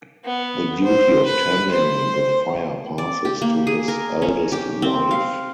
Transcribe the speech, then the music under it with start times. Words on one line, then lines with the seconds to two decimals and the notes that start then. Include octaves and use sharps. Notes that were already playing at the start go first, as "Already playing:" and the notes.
The duty of tending the fire passes to his eldest wife.
0.24 B3
0.84 C5
1.25 B4
1.71 C5
2.98 D5
3.25 G4
3.42 A#3
3.67 G#4
3.88 A#4
4.22 C#4
4.52 G4
4.82 C4
5.11 F5